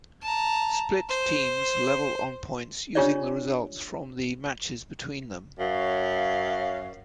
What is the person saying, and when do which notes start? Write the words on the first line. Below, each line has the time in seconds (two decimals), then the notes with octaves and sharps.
Split teams level on points using the results from the matches between them.
0.22 A5 A#5
1.09 C5
2.95 D4 F4 G4 C#5 D5
5.59 F#2 F#4 C#5 F5